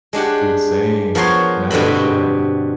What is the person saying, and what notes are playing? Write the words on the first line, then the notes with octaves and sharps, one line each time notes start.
Dude, same. MasterChef.
G#3 D4 G4 F#5
F3 B3 A#4 C#5 F5 C6
G2 B2 D3 C4 B5